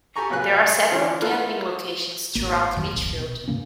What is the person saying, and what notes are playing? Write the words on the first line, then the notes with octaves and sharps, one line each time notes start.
There are several camping locations throughout Litchfield.
G4 A4 G#5 A#5 C#6
A#2 C#3 F#3 B4 F5 F#6
D3 E3 F4
A3 A#3 E4 F4 A4 B4
G#1 A#3
F#2 D#3 F#3
D1 A#1
B2
G#2 C#3 A#3 C#4